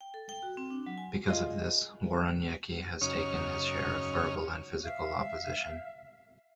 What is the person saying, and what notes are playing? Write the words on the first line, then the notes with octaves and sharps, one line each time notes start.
Because of this, Woroniecki has taken his share of verbal and physical opposition.
G5
A4
G5
F#4
C4
D4
F#3
G#5
F4 G#4 D#5
F#2 C#3 C#4 D#4 C#5 F6
E5 F5